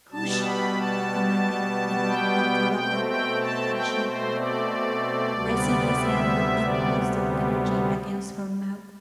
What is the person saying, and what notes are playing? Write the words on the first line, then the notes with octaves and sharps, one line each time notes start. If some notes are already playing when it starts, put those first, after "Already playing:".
"Hush!" he commanded, in uncontrollable passion, pressing his hand with impulsive energy against her mouth.
B2 G3 B3 A5
B5
A5
G5
B2 A3 C4 G5
G5
A5
G5
C5
D5
D2 C3 G3 B3
E5
D5